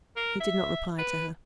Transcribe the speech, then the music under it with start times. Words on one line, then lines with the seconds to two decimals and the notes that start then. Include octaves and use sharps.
He did not reply to her.
0.16 A#4
0.40 E5
0.98 B4